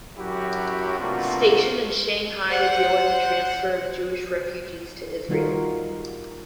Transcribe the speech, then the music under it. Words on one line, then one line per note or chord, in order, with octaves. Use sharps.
Stationed in Shanghai to deal with the transfer of Jewish refugees to Israel.
F#2 F#3 E4 F#4 G4
G2 C3 A3 A#3 F4 F#4
C5 F#5
D#3 G3 D#4 F4 F#4 A#4